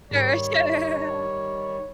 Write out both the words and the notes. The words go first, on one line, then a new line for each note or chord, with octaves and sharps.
Sure, sure.
G#2 D#3 G3 C#5